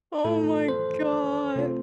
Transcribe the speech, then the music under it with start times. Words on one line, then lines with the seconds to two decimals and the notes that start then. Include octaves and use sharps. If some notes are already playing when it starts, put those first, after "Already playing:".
Oh, my god.
0.24 A2 A3 F4 A4
0.68 C5
1.56 C3 A3 C4 F4